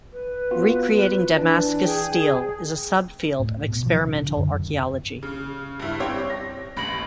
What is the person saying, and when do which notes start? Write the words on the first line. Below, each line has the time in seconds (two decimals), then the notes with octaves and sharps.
Recreating Damascus steel is a subfield of experimental archaeology.
0.13 B4
0.51 B3 F4 F#4
1.39 E3 D4
1.85 G#4 G5
3.39 A2
3.68 B2
3.86 F3
4.02 C#3
4.24 D3
4.36 F#2
5.23 C#3
5.80 G2 E4
6.00 C4 G4 C#5
6.30 A#6
6.77 A1 B5 A#6 F#7